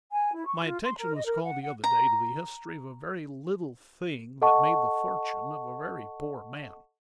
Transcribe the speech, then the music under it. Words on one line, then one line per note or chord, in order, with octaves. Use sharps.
My attention was called the other day to the history of a very little thing that made the fortune of a very poor man.
G#5
E4
C#6
F4
C6
A#4
D#5
A#4
F#5
F#5
A#5
A4 D#5 F#5 A5 C#6